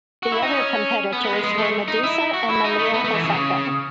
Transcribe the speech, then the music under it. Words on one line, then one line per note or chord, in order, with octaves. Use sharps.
The other competitors were Madusa and Malia Hosaka.
F#4
E4
D#4
C#4
B3
B3
G#3
G#3
A3
D#4
E4
F#4
E4
D#4
A3
B3
A3
E3
C#3